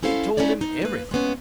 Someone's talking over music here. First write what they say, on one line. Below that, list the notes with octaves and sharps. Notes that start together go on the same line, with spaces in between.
He told him everything.
C#4 E4 A4 C5 F5
C#4 D#4 E4 C#5 D5
D#4
A#3 B4
G#3 A#3 B3 C#4